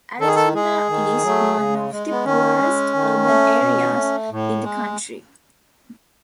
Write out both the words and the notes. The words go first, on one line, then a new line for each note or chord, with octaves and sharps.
Alexandra is one of the poorest urban areas in the country.
D#3 A4
G#4
A4
G#3 G#4
D#3
F#3 A3
C#3
G#3
B3
D#3 C#4
G#3
D#3
A3
B2
A3
A2
G#3